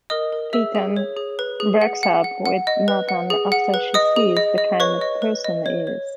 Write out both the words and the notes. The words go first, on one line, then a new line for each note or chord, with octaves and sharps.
Peyton breaks up with Nathan after she sees the kind of person he is.
A#4 D#5 D#6
A#4
G#4 E5 E6
G#4
C#5
G#4
B4
G#4
F#5
F#5
F#5
F#5
D#5
B4
F#5
G#4
F#5
B4
D#5 D#6
G#4
D#5
D#5
B4 C#5 C#6
D#5
B4
D#5
C#5
C#5